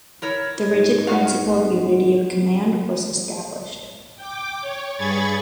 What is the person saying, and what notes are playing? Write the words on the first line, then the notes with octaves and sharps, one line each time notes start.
The rigid principle of unity of command was established.
E4 A#4 C#5
G#2
B3 F#4 F5
G5 D6
C#5
G2 G#4 B5 C#6 G#6 A6